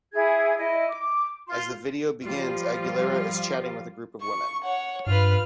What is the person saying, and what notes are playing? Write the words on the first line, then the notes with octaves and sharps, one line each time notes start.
As the video begins, Aguilera is chatting with a group of women.
E4 G#4 G#6
E4 D#5
D6
F4 C6
F3 G3 F4
C#6
C#5 F#5
G2 F4 B4 F6